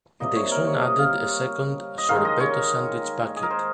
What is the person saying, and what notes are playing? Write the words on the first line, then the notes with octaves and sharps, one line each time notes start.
They soon added a second, "Sorbetto Sandwich Packet".
C3 G3 A#3 D#5
C#5
A#4
C#5
D#5
F5
D#5
D#3 G#3 D#4 F5
D#5
C#5
G#4
A#4
C5